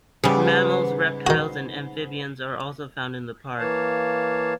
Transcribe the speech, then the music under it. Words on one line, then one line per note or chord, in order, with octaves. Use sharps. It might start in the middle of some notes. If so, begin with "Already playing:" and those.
Mammals, reptiles and amphibians are also found in the park.
G#2 C#3 G3 B3 B4
D#3 F#4
E3 A#3 C#5 F5 A5